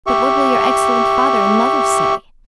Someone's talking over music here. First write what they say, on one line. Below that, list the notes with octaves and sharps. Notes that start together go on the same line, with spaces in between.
But what will your excellent father and mother say?
G4 E5 C#6